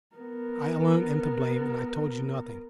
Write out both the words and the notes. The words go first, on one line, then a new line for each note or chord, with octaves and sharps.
I alone am to blame, and I told you nothing.
B3 A#4